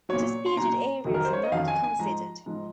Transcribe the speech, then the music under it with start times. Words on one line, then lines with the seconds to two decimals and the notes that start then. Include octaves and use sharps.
Disputed areas are not considered.
0.09 A#2 F#3 C#5
0.46 C6
0.56 A#2 F#3 A#5
1.05 F2 D#3 F#3
1.14 A#4
1.25 C5
1.33 C#5
1.43 D#5
1.52 F2 D#3 F#3 F5
1.68 G#5
1.84 G#5
1.99 G#2 F3 A#5
2.46 G#2 F3